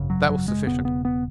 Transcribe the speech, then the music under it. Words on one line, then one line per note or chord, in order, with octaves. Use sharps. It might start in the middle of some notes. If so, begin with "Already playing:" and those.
That was sufficient.
Already playing: G#1 F#2 C#3
F#3
F#3
G#3
E1 D#2 C#3 B3
B3
B3